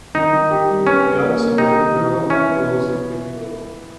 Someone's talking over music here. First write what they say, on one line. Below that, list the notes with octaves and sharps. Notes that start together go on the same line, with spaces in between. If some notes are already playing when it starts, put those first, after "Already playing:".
Young, suburban girl blows a big bubble.
D#3 D#4
D#3
G4
G3
B3 C#4
B3
A#3
A#3
D#4 G4
D#3
E3
E3
C#4 E5
B3